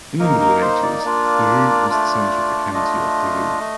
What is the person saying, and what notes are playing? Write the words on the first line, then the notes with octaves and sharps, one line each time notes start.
In the Middle Ages, Dreux was the centre of the County of Dreux.
A#3 D#4 A#4
A#4
C5
D5
A#3 D4 F4
A3 D4 F4
A3 D4 F4 D#5
A3